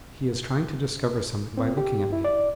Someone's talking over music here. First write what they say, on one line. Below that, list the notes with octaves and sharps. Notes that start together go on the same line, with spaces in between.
He is trying to discover something by looking at me!
C4
G4
E4
D5